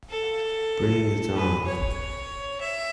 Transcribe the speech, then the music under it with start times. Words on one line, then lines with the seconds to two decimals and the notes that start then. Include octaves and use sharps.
Bring It On!.
0.10 A4
1.36 B4
1.67 C#5
2.61 E5